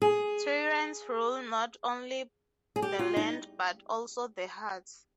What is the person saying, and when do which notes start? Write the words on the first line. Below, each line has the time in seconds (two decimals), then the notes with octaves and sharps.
Tyrants rule not only the land, but also the hearts.
0.02 G#4
2.76 G#4
2.82 G4
2.99 F4
3.17 D#4